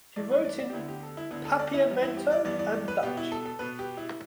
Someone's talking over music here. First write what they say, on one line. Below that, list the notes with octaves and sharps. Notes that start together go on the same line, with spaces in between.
He wrote in Papiamento and Dutch.
G2 E3 A3 D5
B4
D5
D5
G4
D2 D3 B3 E4
G4
A4
E4
D2 D3 B3 E4
A4
D5
E4
G2 E3 G3 B3
E4
G4
D5
G2 E3 G3 B3 D5
D5
D5
B4
B2 B3 G4
E4
A4
A4
B2 B3 B4
G4
E4